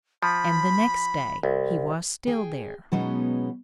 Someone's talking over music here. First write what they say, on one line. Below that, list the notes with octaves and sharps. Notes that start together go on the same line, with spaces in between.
And the next day he was still there.
F3 B5
C2
G#4 G5
B2 F#3 G#3 B3 C#4 D#4